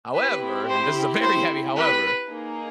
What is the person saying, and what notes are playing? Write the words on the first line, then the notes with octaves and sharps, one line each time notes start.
however, and this is a very heavy however,
C4 E4 G4 B4
C5
C5
B4
A#3 D#4 G#4